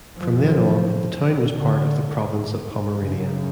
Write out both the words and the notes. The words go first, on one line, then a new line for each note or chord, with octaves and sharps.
From then on, the town was part of the Province of Pomerania.
F#2 C#3 F3
D3
F#2 C#3